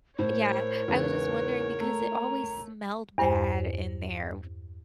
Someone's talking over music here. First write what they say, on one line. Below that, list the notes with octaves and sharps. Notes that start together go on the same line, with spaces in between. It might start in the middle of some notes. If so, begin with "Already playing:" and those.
Yeah. I was just wondering because it always smelled bad in there.
A2 A#4 C5 C#5
E2 G#2 C#3 B4
A3 A#5
E2 G2 C5 G#5